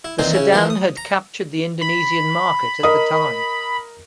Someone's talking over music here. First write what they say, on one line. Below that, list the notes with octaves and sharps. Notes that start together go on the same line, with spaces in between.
The sedan had captured the Indonesian market at the time.
E4
A#2 D#3 E3 C4 D#4
C#3 C#4 E4
E3 F3 A#3 E4 F4
D#6
A#5
B5
A#4 D#5 D#6